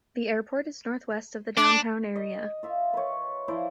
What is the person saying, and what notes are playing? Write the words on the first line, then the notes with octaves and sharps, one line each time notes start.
The airport is northwest of the downtown area.
D4 D6
D#5
F4 E5
B4 C#5
F3 E4 C5 D5